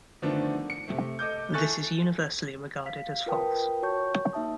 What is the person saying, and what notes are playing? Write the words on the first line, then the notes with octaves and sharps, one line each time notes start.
This is universally regarded as false.
D3 D#3 F3 A3 B3 D4
C#7
C3 A3
A4 D#5 D6 G6
E4 A4 G#5 C#6 F#6 A6
F5 B6
F4 A#4 B4 G5 A5 D#6
F#4 C#5 A5 C#6 G6
A#3 D#4 E5 A5 D#6